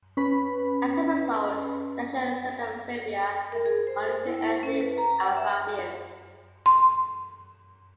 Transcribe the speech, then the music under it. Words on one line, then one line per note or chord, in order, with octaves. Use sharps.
As a result, the National Assembly of Serbia has only two ethnic Albanians.
C#4 B4 B5
A#4
G#4
C5
E4
C5
C#4
B4
A#5
F#5
E5
C6